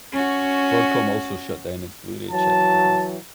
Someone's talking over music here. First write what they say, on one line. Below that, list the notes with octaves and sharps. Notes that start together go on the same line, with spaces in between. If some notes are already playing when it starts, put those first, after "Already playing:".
Broadcom also shut down its Blu-ray chip business.
C#4 F#4
E3 F#3 A5